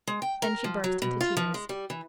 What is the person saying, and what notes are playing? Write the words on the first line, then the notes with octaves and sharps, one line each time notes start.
Then she burst into tears.
G#3
G5
A#4
F3
F#3
B2
F4
F3
G#3
G3
E3